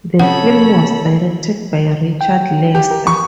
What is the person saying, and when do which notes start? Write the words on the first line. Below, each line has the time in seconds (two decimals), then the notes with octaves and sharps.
The film was directed by Richard Lester.
0.19 C3 C#4 A4 C#5 F#5 B5
2.21 G5
2.75 G4
2.91 A#4
3.07 C#6